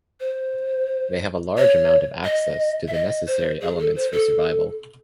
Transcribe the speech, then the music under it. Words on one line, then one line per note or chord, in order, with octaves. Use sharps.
They have a large amount of access to the necessary elements for survival.
C5
C#5
D#5
E5
D#5
C5
G#4
A4
C5
A4